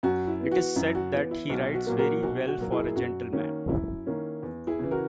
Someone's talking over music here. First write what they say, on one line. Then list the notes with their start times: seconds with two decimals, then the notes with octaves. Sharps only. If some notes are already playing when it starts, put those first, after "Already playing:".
It is said that he writes very well for a gentleman.
0.03 F#2 F#4
0.27 E4
0.40 E3 B3
0.51 F#4
0.76 F#2 E4
0.95 F#4
1.13 E3 B3
1.31 E4
1.50 B1 F#4
1.74 F#4
1.87 A#2 F#3 A#3
1.99 F#4 A#4
2.23 B1 F#4
2.47 F#4
2.60 A#2 F#3 A#3
2.72 E4 G#4
2.96 F#2 F#4
3.33 D#3 A#3 C#4
3.69 F#2 E4
4.06 D#3 A#3 C#4
4.43 E2
4.67 E4 G#4
4.79 C#3 E3
4.91 F#4 A#4